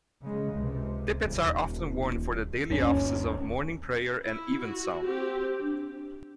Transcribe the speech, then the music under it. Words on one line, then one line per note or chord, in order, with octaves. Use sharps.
Tippets are often worn for the Daily Offices of Morning Prayer and Evensong.
C#3 G#3
C#2 C3
D#1
G1 D#2 B2 C#4
E4
F#4
C4 G4
D4